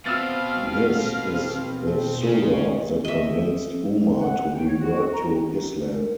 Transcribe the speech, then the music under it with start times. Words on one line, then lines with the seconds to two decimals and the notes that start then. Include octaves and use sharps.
This is the Sura that convinced Umar to revert to Islam.
0.06 B2 C4 F5 E6 F6 A6
2.23 C#3
3.05 D#5 E5
4.19 F#5
4.52 G5
4.65 C#5
4.78 F#4
5.12 A#5
5.52 D4
5.93 A#4